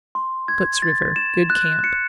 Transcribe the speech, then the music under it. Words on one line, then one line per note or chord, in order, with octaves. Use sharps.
Soot's River.--Good camp.
C6
G#6
A6
E7
F#6
C#7